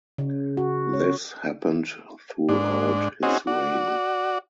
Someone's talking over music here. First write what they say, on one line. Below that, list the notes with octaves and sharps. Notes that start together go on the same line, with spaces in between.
This happened throughout his reign.
C#3
F#4
C#5
G#2 D4
C4 C#4 D#4 F#4 G#4
F#4 D5